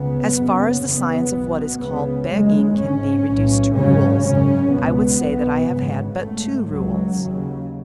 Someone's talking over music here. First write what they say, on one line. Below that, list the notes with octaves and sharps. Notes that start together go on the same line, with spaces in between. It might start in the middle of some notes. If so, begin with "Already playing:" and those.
As far as the science of what is called begging can be reduced to rules, I would say that I have had but two rules.
Already playing: C#2 C#3 B3
F#1 F#2 C#3
F#1 E2 C#3 B3
B1 B2
C#2 C#3 B3
F#1 F#2 C#3 G#3
G#1 G#2 C#4
B1 A2
G#1 F#2 C#3 C#4
G#1 F#2 C#3 C#4
C#2 B2 B3
B1 B2
G#1 F#2 C#3
G#1 G#2 A3
C#2 C#3 F#3
D#2 C#3